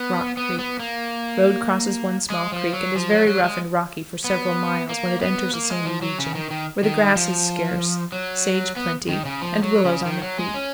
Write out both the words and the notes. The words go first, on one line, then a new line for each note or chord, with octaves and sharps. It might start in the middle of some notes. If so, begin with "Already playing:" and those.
Rock Creek.--Road crosses one small creek, and is very rough and rocky for several miles, when it enters a sandy region, where the grass is scarce; sage plenty, and willows on the creek.
Already playing: B3
B3
B3
A#3
G#3
F3
F#3
F3
F#3
F#3
G#3
B3
A#3
B3
A#3
G#3
F3
F#3
C#3
D#3
D#3
D#3
F3
F#3
B3
D#3
C#3
F3
F#3
C#3
D#3
F#3
G#3
C#4